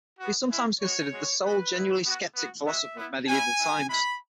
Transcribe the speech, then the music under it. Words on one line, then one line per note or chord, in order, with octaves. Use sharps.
He is sometimes considered the sole genuinely skeptic philosopher of medieval times.
B3 F#4
G#3 C#4 E4
G#3 B3 F#4 C#5
G#3 C#4 F#4
B3 F#4 B4
B3 E4
B3 F#4
B3 F#4
G#3 B3 F#4 E5
B3 E4
G#3 C#4 E4 G#5
G#3 E4
G#3 E4 B5